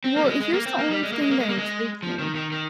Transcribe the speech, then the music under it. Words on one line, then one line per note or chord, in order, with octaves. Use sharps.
Well, here's the only thing that intrigues me
C4
A#3
G3
G#3
G#3
A#3
C4
A#3
G3
G#3
A#3
G#3
A#3
G#3
A#3
G#3
F3
D#3
D#3
D#3